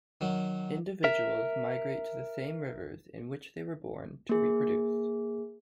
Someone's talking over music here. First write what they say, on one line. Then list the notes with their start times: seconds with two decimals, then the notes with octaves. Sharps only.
Individuals migrate to the same rivers in which they were born to reproduce.
0.21 D#3 F#3
1.04 A#4 E5
4.29 A#3 G#4